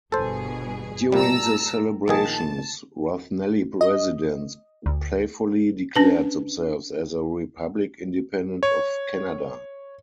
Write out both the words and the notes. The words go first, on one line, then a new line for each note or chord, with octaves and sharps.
During the celebrations, Rathnelly residents playfully declared themselves as a republic independent of Canada.
G1 B2 G#4 A4 C5
A#2 G3 A5 A#5 E6
A#1 D#3 G#4 A5
D#5
D2
C#4 D4 B4
C#5